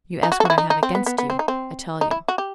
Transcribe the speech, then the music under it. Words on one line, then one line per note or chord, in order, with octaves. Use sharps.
You ask what I have against you; I tell you.
D#4
F#4
A4
F#4
E4
D#4
D#4
C4
B3
B3
B3
C4
D#4
C4
D#4
E4
F#4
G4